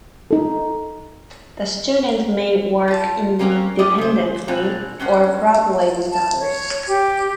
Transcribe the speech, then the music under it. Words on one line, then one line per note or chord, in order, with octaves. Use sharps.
The student may work independently or collaborate with others.
D#4 A4
F4 A5
A#3 C4 C#4 F4 F#4
C#4 G4 B4 D5 D#5
C#3 C5
G#2 B2 C4 D4 G#5
G2 C#4 C5 F#5
A5
C#5
G4